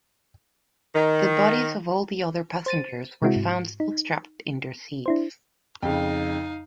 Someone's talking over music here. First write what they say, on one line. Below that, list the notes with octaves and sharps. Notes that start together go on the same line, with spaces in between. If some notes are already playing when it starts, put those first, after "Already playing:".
The bodies of all the other passengers were found still strapped in their seats.
D#3
C5 A6 D#7
C3 G#3 C4 E4 F#4
G#2
D#4
D4 E4 C5
F2 C#3 D#4 F5